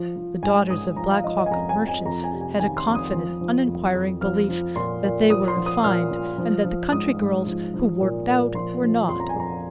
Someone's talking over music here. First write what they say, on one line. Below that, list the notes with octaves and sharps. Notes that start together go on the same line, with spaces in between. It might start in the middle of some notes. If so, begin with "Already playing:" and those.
The daughters of Black Hawk merchants had a confident, uninquiring belief that they were "refined," and that the country girls, who "worked out," were not.
Already playing: F3
F3
G#2 G#5
G#2 D#6
F3 A#5
F5
F3 D#5
D#5
G#5
F2 A#5
G#5
F2
G#5
F2 A#5
G#5
C3
G#5
D#3 G#5
C6
F2
D#6
F3
F3
F2
F2
F3 F6
F3
A#2 C6
A#2
F3 D#6
C6
F3
D#6
A#2 F6
A#2
F3
F3
G#2 D#6
G#2
F3
F3
A#2
A#2
F3 C6
F3
F2 C6
A#5
G#5
F2 A#5